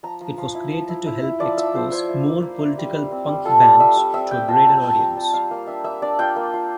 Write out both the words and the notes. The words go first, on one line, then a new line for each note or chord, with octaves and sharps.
It was created to help expose more political punk bands to a greater audience.
F3 A#5
F3
F3
E4
F3
E4
E4
E4
F3 D5
F3 E5
F3 C5
E4 C5
E4
A#3
A#3
E4
G3
G3
C4
G3
F4 A4
G3
G3 E5
G3
C4 E5
C4 G5
F4 A5
G3 A#5
C4 A5
G3 A#5
G3 A5
G3 F5
A#3 F5
D4 E5
A#3 E5
D4 D5
F4 G5
A#3
F4